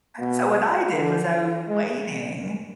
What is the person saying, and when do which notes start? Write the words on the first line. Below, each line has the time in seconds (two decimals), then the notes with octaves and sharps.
So what I did was, I was waiting;
0.20 B2
0.95 D3
1.68 G#3